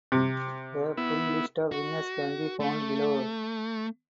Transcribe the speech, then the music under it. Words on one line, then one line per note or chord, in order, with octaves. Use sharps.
The full list of winners can be found below.
C3
B3 E4
F#4
A3